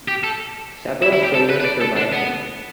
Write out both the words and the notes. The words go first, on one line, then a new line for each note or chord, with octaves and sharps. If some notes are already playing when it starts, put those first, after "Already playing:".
Several children survived him.
G4
A4
E4
E4
G4
A4
B4
B4
D5
A4
D4
B3